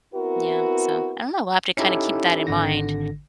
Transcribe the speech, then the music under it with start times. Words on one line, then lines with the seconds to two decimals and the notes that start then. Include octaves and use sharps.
Yeah, so I don't know, we'll have to kinda keep that in mind.
0.14 B3 C4 E4 F#4 A#4
1.77 C#4 D#4 E4 G4 A4
2.47 G#1 D3 A#6